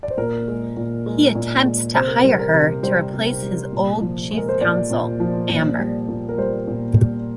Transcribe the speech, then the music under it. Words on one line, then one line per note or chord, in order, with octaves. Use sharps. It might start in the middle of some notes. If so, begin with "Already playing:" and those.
He attempts to hire her to replace his old Chief Counsel, Amber.
D5
C5
A#2 A#4
G#3
A#2
G#3
A#2
G#3
C3 C5
A#4
C5
G3
A#4
C3
G3 C5
C3
G3
A#2
F3
G#3
A#4
C5
A#2 D5
A#2
F3
A#2
G3
A#2
A#4
G3 C5
A#2
G3